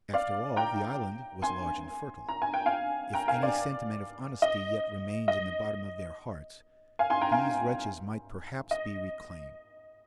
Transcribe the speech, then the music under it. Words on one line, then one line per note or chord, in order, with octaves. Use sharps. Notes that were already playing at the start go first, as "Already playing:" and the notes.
After all, the island was large and fertile. If any sentiment of honesty yet remained in the bottom of their hearts, these wretches might perhaps be reclaimed.
D5 F5
G5 A#5
G#5 C6
A#5
G#5
G5
F5 G#5
G5 A#5
F5 G#5
D5 F5
D#5
D#5
F5 G#5
G#5 C6
G5 A#5
F5 G#5
D#5